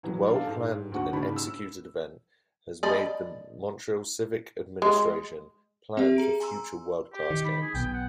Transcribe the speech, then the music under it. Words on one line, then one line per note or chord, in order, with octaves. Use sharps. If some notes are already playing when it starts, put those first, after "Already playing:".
The well-planned-and-executed event has made the Montreal civic administration plan for future world-class games.
A2 E3 F#3
D4 A4 F5
G#2
D2 F#4 F#5 C#6
G#2 C#3 D4 B5
E6
D5 D#5 B5
G#3
C4 G4 E5
G#4 A#5 D7
G#5 A#5 C6 E6
G4
D#3
B5
G#4
B1 B2 G5
F#5